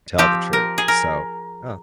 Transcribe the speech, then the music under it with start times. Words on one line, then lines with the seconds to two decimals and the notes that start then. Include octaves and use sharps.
tell the truth? So, uh,
0.18 F3 C4 G4
0.53 A#4
0.78 G#4
0.88 A#4